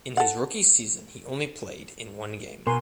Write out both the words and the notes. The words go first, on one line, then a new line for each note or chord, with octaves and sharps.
In his rookie season he only played in one game.
A4 F#5
B2 A#4 G#5 C6